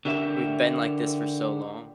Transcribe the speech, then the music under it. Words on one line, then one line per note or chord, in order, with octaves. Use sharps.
We've been like this for so long.
D3 G4 A#4 E5